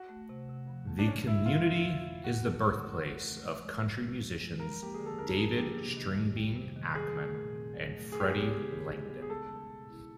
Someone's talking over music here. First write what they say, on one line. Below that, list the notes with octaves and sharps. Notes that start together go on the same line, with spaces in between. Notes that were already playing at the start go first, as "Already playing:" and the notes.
The community is the birthplace of country musicians David "Stringbean" Akeman and Freddie Langdon.
Already playing: F#4
A3
C3
C3
F3
A3
D4
D3 C#4
F#3 E4
F2 F4
F2
D3
F#3
E3 F#4
A3
C#3
C4
E3
A3
F3
G#3
C#3
C#4
F3
G#3
F3 A#4
A#3 G4
G#4
D3
A4
D4 A#4
F3 G#4
A#3 G4
C3
D#3
F2
G3
C3
D#3
F#3 G#4
A3
A#2
C4
F#3
A3
F#3 G#4
G4
B3 G#4
C#3
D#4
F#3
B3
G#4
G#3 A4
C#4
B2
E4